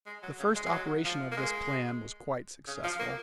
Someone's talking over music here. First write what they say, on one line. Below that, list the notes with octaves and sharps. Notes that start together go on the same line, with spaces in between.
The first operation of this plan was quite successful.
G#3
F#3
C#3
G#3
G#3
F#3
F3
A#3
G#3
C#3
F3
A#3